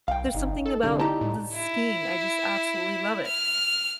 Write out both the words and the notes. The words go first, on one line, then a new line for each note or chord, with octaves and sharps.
there's something about the skiing. I just absolutely love it.
B1 F5 G5
G1 D#4
A4
C2 D3 A#3
D#4 E4 G4 D5 A5 A#5
A2
E4
F6